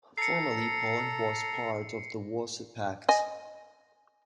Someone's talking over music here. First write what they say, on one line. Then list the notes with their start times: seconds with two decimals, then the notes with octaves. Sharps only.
Formerly, Poland was part of the Warsaw Pact.
0.18 A4 A#5 C7 C#7
3.09 D#5 G#5